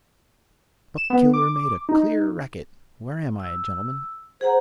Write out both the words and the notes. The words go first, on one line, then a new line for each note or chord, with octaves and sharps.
"Buck-killer made a clear racket. Where am I, gentlemen?"
E7
B3
D6
D#4
E6
G#4 C5 F#5 A#5